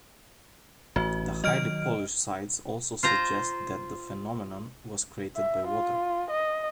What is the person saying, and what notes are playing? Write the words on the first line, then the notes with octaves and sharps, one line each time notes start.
The highly polished sides also suggest that the phenomenon was created by water.
A1 F#4
D#3 F#3 D#5 F6 D7
F4 C5 A#5
E5
F4
D#5